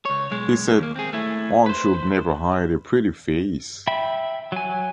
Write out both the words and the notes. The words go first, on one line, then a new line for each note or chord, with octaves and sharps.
He said: One should never hide a pretty face.
C#2 C#5
B1 G#3
D#2 A#3
C4 G#4
A3 E4
B4 C5
E5 G5 B5
F#3 G#5